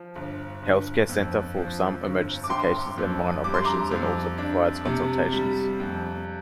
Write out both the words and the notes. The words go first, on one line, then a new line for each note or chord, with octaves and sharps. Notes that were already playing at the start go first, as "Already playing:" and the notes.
Healthcare center for some emergency cases and minor operations and also provides consultations.
Already playing: F3
G1
G1
F2
F3
G1
D6
G1 G5 C6
F2
G3 D6
C6
A#5 D6
F2
D4
C3
G3
F2